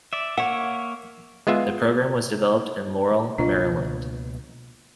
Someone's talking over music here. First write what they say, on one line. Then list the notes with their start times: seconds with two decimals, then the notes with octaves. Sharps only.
The program was developed in Laurel, Maryland.
0.13 D5 E5
0.38 A#3 C#5 E5 F#5
1.47 G#3 B3 F4 E5
3.38 C#2 B2 A#3 D4 F4 D#5